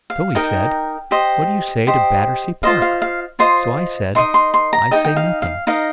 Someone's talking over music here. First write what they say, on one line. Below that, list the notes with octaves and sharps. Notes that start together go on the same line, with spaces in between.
So he said, 'What do you say to Battersea Park?' So I said, 'I say nothing.
F5
D#4 A#4 D#5 G5
G4 C5 D#5
G4 C5 D#5
F4 C5 D#5 F5
F5
F5
F4 C5 D#5 C6
D#4 A#4 D#5 C6
C6
C6
A#5
D#4 A#4 D#5 G5
G5
F5
F5
D#4 A#4 D#5 F5